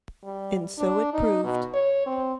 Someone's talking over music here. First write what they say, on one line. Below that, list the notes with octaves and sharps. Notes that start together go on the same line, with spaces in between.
And so it proved.
G3
D4
D#4
B2
C#5
C4